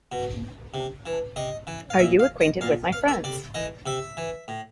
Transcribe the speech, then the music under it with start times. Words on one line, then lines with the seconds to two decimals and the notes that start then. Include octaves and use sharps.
Are you acquainted with my friends?
0.12 B2
0.74 C3
1.06 E3
1.36 C3 D#5
1.67 E3
1.90 F5
1.99 A#2 E5
2.19 F5
2.41 D#5
2.61 A#2 F5
2.92 F5
3.08 E5
3.24 C3 D5
3.54 E3 D#5
3.86 C3 E5
4.17 E3
4.48 A2